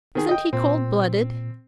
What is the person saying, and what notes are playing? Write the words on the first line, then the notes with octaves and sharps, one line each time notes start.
Isn't he cold-blooded?
D#3 G#4
D#5 G5
A#2 C4